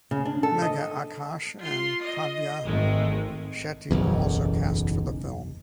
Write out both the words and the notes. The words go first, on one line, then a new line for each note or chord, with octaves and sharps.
Megha Akash and Kavya Shetty were also cast for the film.
C#3
D4
A4
D#5
F4 C6
D#5
G#1 D#3 G#3 A3
F#1 B1 E2